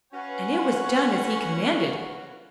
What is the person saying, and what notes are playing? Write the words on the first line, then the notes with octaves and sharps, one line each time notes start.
And it was done as he commanded.
C#4 F#4 B4 C#5 F5 F#5